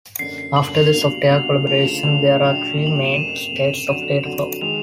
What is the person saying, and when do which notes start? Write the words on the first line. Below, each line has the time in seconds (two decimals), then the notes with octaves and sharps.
After the software collaboration, there are three main states of data flow.
0.19 F#1 F#2 D3 C7
0.38 C7
0.56 F#1 F#2 D3 F#7
0.75 F7
0.93 B2 G3 A#3 D4 F#4 F7
1.30 B2 G3 A#3 D4 F#4
1.67 D2 C#3 F3 F7
1.85 E7
2.03 D2 C#3 F3 F7
2.41 A#1 A#2 F#3
2.77 A#1 A#2 F#3 F7
2.87 F#7
2.96 F7
3.05 E7
3.14 F#1 F2 C3 D#7
3.51 F#1 F2 C3
3.88 F2 D3 F#3 D#7
4.25 F2 D3 F#3
4.61 D#3 G#3 F7